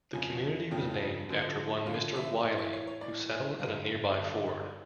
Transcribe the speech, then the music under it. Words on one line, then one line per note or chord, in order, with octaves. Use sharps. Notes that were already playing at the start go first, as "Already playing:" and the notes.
The community was named after one Mr. Wiley, who settled at a nearby ford.
F2 C#3 F3 G#5
F2 C#3 F3 G5
F#2 D3 F3
F#2 D3 F3 F5
E5
A2 E3 D#5
E5
C#5
C#5
A2 E3 D5
G#5
G2 D3 F#3 F5
G2 D3 F#3 E5
D5
D#5
D5